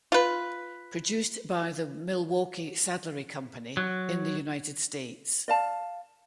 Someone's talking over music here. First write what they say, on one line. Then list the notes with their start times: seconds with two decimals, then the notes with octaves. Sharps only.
Produced by the Milwaukee Saddlery Company in the United States.
0.12 F4 B4
3.77 F#3
5.48 D5 F5 A5